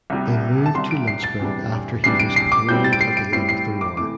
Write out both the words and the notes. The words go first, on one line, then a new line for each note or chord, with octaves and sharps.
They moved to Lynchburg after he was paroled at the end of the war.
C2 C3 G3
A5
C2 C3 G3 C6
D7
C7
A6
E2 C3 G3 D4
E2 C3 G3 D4 C7
D7
C7
D6
A2 G3 C4 G6
A6
D7
C7
D7
A2 G3 C4 C7
C7
D6
C3 E3 A3 D6